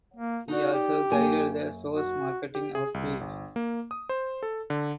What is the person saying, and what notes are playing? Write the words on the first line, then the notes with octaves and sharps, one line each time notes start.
He also guided the shows marketing outreach.
A#3
D#4 F#4 D5
G4
F#2 A#3 G#5
F#4
G4
G#4
C2
G1
A#3
D#6
C5
A4
D3